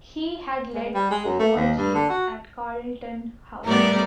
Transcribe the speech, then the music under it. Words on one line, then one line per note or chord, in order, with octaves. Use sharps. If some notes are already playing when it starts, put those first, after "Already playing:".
He had led the orgies at Carlton House.
G#3
G3
G#3
F#2
A3
D#2
G2
D3
F#4
A2 G3 B3 A#4 D5